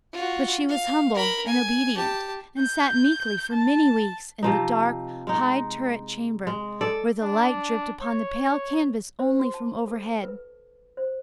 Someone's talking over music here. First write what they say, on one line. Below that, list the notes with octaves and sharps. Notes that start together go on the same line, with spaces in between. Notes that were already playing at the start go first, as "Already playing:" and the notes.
But she was humble and obedient, and sat meekly for many weeks in the dark, high turret-chamber where the light dripped upon the pale canvas only from overhead.
F4 F#4
F5
A#4 B5
G#5
G4 A5
G6
A5
C3 F3 D#4
G#3 D#4
G#3
A4 D5
D4
C#5
C5
F#4
A5
A4
B4
C5